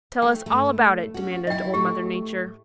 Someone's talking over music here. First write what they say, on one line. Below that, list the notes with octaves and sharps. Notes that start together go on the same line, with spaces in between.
"Tell us all about it," demanded Old Mother Nature.
A3 G5
G2 A3
C#4 D4 F#4
F#3 E4 D#5 G5
A2 A3 G4